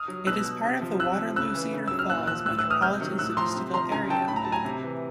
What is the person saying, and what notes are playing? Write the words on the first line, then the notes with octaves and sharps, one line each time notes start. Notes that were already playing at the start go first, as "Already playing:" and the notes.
It is part of the Waterloo-Cedar Falls Metropolitan Statistical Area.
Already playing: D#6 F6
F#3
B2 E6 F#6
F#3
C3
F3
C3 E6 F#6
F3
C#3 E6 F#6
E3
C#3
F#3 E6
F6
A#2 E6 F#6
F3 E6 F#6
A2 E6 F#6
E6 F#6
E3
D#6 F6
C3 F6 G6
D#3 F#3
A2 E6 F#6
F3 A#5 C6
C3
F3 A#5 C6
C#3 G#5 A#5
F#3 G5 A5
A2 B5
A#5
F#3 A5
G#5 A#5
C3
E3